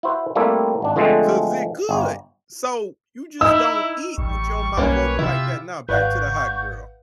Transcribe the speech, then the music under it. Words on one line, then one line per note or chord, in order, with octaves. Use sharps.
'cause it could. So, you just don't eat with your mouth open like that. Now, back to the hot girl,
E4 F#4 C5
G3 A3 A#3 C4 E4
G#1 D4
D3 F3 G#3 A3 C4
G1
D#4 E4 E6
A1 G3 C#6
B1 G3 A#3 C#4 B4 C#5
C3 E4 F4 G4 E5
G#1 B4 D5 F5 F#5 C#6 G6